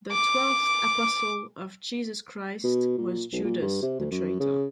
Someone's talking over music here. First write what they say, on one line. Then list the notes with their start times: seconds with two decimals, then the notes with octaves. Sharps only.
The "twelfth apostle" of Jesus Christ was Judas, the traitor.
0.12 D6
2.64 B2
2.98 A#2
3.32 B1
3.44 A#2
3.62 G2
3.82 C3
3.99 D2
4.11 F#2
4.40 C#3